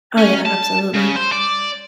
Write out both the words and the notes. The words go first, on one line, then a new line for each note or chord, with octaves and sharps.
Oh, yeah, absolutely.
C#4
A5
C#3
C5
D5